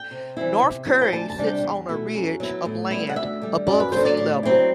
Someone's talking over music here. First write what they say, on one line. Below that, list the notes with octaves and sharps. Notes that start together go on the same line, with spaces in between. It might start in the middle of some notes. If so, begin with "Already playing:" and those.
North Curry sits on a ridge of land, above sea level.
Already playing: G5
C3
E3 G3 C4 E4
C3
F#3 C4 E4
G5
D2 A5
A5
C3 G3 D4
G5
E2
B2 A3 E4
F#2
F#3 B3 E4
A2
G3 B3 E4
F#5
D2 E5
D3 G3
F#2 D5
B4
D3 F#3 B3 C5
D5
A2
F#3 C4 E4